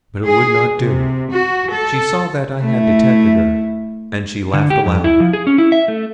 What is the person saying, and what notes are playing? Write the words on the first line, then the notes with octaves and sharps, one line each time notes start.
But it would not do: she saw that I had detected her, and she laughed aloud.
G#4
C3
F#4
A4
A3 E4
D3
G4
F2
E4
F3
G#4
C#4
E4
E5
A3